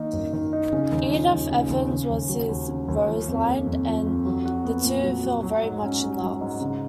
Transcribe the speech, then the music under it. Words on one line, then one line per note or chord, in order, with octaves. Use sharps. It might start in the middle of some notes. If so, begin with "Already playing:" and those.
Edith Evans was his Rosalind and the two fell very much in love.
Already playing: D#3 A#3 D#4
F#2
D#3
D#4
C#3
D#2
F3
D#2
C#3
D#2
C#3
D#2
F#3
D#2
C#3
D#2
F3
F2
A#3
F2
F3
F2
F#3
F#4
B3
A#2
F#3
F#4
F#3
G#2
C#4
G#2
F#3
G#2
C#3